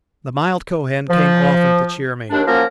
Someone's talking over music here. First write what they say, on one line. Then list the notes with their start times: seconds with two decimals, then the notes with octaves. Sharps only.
The mild Kohen came often to cheer me.
1.09 F3
2.30 D#2 D4
2.47 F3 F#3 A#3 C#4 A#4